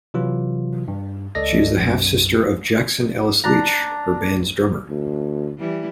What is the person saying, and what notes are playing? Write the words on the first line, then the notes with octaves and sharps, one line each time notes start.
She is the half-sister of Jackson Ellis-Leach, her band's drummer.
C3 E3 F#3 F4
G2
C#2 A4 D5 D#5 A#6
B1 F#2
D4 A#5
D2
E3 G3 E4